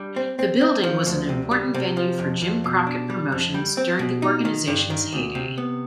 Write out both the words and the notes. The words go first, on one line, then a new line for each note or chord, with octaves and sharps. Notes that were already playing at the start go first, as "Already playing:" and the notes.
The building was an important venue for Jim Crockett Promotions during the organization's heyday.
Already playing: G3 D4
C4
C4
C4
F3
D2
C3
G3
C3
F3
F2
F2
B2
D4
G3
F2
G3
C4
B2
D#4
D#3
G2
D#3
D2
C3
B3